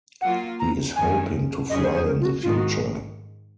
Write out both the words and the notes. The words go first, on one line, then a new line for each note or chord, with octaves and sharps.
He is hoping to fly in the future.
F#3 A#3 F4 F#5
A#5
F#2 D#3 G#3 C#4 G#5
F2 C#3 F#3 C#4 G#4 D#5
C5
C5
A#4
F4
F#4
G#2 D#3 G#3 F4
F#4